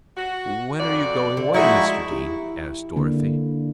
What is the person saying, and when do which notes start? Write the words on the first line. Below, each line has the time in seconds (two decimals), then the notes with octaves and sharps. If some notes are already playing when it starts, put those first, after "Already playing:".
"When are you going away, Mr. Dene?" asked Dorothy.
0.16 F#4
0.78 F2 F#4 D5
1.37 D3
1.54 F3 G#3 D#4 E4 F#4 G#4 C#6
2.11 E4 G4
2.96 D3 A#3 D4